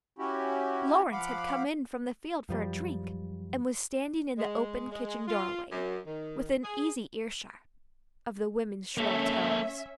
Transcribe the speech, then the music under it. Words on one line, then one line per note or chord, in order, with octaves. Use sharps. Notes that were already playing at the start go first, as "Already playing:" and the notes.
Lawrence had come in from the field for a drink, and was standing in the open kitchen doorway, within easy earshot of the women's shrill tones.
C#4 E4 F#4 G4
F3 F5 F#5 B5 D6
F#2 F3 G3
G#3
G#3
F4
F#2
D#3
G#4
A#3 C#4 A4 E5